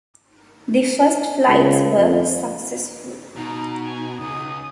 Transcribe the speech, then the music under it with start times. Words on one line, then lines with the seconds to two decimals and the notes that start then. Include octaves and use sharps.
The first flights were successful.
1.48 C#2
1.97 F2
3.37 B2 D#4 A#5
3.85 G#5
4.20 C#2 D#6